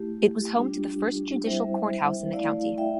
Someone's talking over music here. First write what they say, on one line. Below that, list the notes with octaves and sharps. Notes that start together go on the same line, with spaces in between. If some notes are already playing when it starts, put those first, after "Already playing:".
It was home to the first judicial courthouse in the county.
Already playing: A3 E4 G4
G3 D4 F4
G3 C4 E4 C5 E5
A3 E4 D5 F5
E5 G5